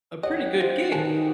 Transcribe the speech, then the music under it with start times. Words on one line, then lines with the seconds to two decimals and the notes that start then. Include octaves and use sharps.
a pretty good gig.
0.23 G4 C#5 D#5 F#5
0.61 F4 C5
0.92 D#3 B4 G#5 A5